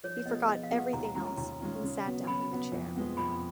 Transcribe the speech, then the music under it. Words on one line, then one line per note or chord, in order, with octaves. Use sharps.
He forgot everything else, and sat down in the chair.
F3 C#5
B3 F4 G#4 D#5
F3 D#5
F5
B3 F4 G#4
F#5
D#2 A#5
A#5
D#3 G#3 C#4 F4 A#5
A#5
D#2 A#5
D#3 G#3 C#4 F4
C#3
F#3 B3
C#3 B5
F#3 B3
F2
F3 G#3 B3
F2 B5